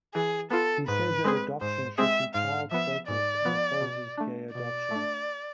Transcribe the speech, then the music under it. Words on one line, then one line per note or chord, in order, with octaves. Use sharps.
He says that adoptions should be child focused and opposes gay adoptions.
E3 G#4
B3 F4 A4
G#2 B4
G#3 C4 G#4
G#2 C5
G#3 C4 G#4 E5
G#2 F5
F3 B3 E5
G#2 D5
F3 B3
B2
A3 D4
B2 D5
A3 D4